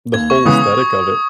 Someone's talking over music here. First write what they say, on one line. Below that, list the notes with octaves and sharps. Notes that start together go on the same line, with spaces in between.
the whole aesthetic of it.
D#2 G#6
C#6
C#3 E3 G#3 B3 D#6
D#6